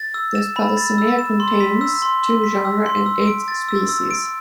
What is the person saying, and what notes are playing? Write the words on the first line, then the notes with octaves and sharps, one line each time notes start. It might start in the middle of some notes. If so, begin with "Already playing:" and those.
The Spalacinae contains two genera and eight species.
Already playing: A6
E6
E7
B5
A6
E6
E7
C6
B6
E6
C6
C6
B6
E6
C6
E6
D7
A6
E6
E6
D7